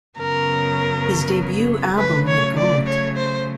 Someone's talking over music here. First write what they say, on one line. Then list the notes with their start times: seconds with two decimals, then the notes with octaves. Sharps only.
His debut album went gold.
0.18 F#2 C#3 F#3 B3 A#4
1.97 C#3 F#3 A3 B4
2.28 C#5
2.57 D5
2.87 C#5
3.17 C5